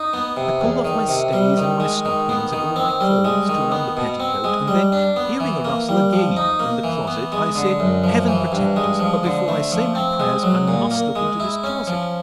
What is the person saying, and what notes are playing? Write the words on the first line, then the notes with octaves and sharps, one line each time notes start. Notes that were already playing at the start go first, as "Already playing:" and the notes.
I pulled off my stays, and my stockings, and all my clothes to an under-petticoat; and then hearing a rustling again in the closet, I said, Heaven protect us! but before I say my prayers, I must look into this closet.
Already playing: D#4
B3
C3
E2
D#3
C3
G3
D#3
G#3
D#3
B3
D#3
C4
G3
G#3
D#3
B3
B2
C4
G#3
G3
D4
B3
E3
A#3
G3
F3
D#4
A#3
E3
B3
G#3
D3
F#2
F3
E3
G2
G#3
F3
D3
A3
F3
C4
G#3
F#3
A#2
A#3
G#3
E4
C#4
F3